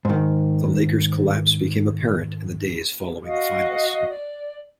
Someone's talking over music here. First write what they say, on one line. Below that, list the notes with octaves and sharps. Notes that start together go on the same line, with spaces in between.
The Lakers' collapse became apparent in the days following the Finals.
G#2 D#3
F#4 D#5 F5 D#6
D5